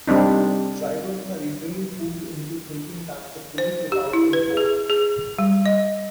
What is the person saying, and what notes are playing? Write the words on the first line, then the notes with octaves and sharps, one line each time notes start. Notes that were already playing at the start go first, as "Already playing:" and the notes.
Drivers are easily fooled into thinking that the police is out in force.
G3 C4 D4 D#4
C5
G4
E4
B4
G#4
G#4
G3
D#5